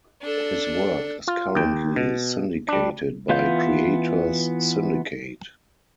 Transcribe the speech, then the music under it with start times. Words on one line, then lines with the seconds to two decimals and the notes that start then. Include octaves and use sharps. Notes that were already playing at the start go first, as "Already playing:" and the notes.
His work is currently syndicated by Creators Syndicate.
0.22 D4 A4
1.28 F4
1.55 D#2 G5
1.96 B2
2.68 G3 D4
3.29 E3 B3 F4 F5 G6